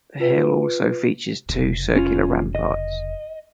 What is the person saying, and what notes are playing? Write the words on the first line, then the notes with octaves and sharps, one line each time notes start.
The hill also features two circular ramparts.
F4 B4
F1 C#3
C#4 F4
D#5